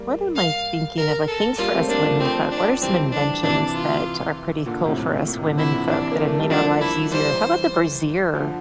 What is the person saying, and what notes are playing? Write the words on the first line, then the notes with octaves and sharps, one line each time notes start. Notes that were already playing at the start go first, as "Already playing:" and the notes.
what am I thinking of? Like, things for us women folk. What are some inventions that are pretty cool for us women folk that have made our lives easier? How about the brassiere?
Already playing: G3 A#3
F5
A#4
A4
G3 A#3 F4
A3 C4
G3 A#3 D4
F3 A3
F3 A3 C4
D4
E3 G3 C4
D4
C3 E3 D4
F4
A#2 D3
A2 C3
A2
A#2
A#2 D3
C3 E3 E4
A#2 D3
C3 E3 D4
A#3
A3
G3
D3 F3 D4
E4
E3 G3 C5
D3 F3